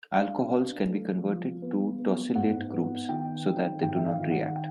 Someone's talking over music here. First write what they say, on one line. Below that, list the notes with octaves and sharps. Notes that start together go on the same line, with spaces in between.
Alcohols can be converted to tosylate groups so that they do not react.
D4 F5
D4
A3
F3
B3
B3
G#2 F#5
B3
D#3 G5
D#3
G#2 G5
E5
F5
D#3
F#5
F#5
G5